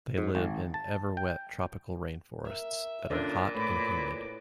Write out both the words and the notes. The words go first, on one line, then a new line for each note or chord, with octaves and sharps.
They live in ever-wet tropical rainforests that are hot and humid.
G#2
G#1
A5
G5
A#4 E5
A#2 D3 C#4 D4 F4
A2 B4 B5 D6